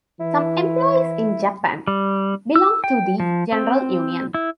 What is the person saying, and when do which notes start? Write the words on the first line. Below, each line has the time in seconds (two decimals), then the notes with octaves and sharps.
Some employees in Japan belong to the General Union.
0.20 E3 E4
1.87 G3
2.56 E6
2.84 G5
3.20 F3
3.52 C4
4.34 E4